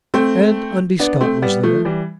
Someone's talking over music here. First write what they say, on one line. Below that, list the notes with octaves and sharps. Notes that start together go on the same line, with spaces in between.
And Undy Scott was there.
A3 C4
B3 D4
A3 C4
G3 B3
F3 A3
E3 G3